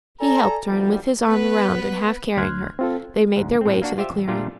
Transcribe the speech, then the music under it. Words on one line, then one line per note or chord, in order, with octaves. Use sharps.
He helped her, and with his arm around and half carrying her, they made their way to the clearing.
A4 D5 G#5 A#5
D2 B2 F3 G3
B3 B4
D2 C6 F6 F#6 G#6
C4 F4 A4
D2 G#2
A2 C4
A#3 D4 F#4
F4 G4 C5 E5
A1
A#2 G3 A3 D4 F4 G4